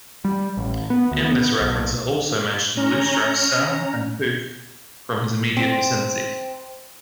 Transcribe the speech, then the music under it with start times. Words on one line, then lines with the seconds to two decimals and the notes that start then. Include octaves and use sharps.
In this reference are also mentioned Leustrak's son and Puch from his immediate vicinities.
0.25 G3
0.57 A1
0.90 B3
1.11 D2
1.25 B3
1.61 B1
2.77 C#4 A#5
5.57 C4